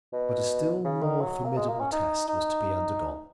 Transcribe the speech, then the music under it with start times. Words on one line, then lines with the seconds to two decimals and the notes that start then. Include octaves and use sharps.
But a still more formidable test was to be undergone.
0.13 B2
0.85 C#3
1.03 D#3
1.20 F#3
1.45 A#3
1.56 G#3
1.68 A#3
1.80 C#4
1.92 D#4
2.28 D#4